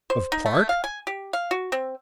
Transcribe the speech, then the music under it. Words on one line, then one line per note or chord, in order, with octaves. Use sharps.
"Of park?"
C5
D#4
A3
F5
G#5
G4
F5
F#4
C4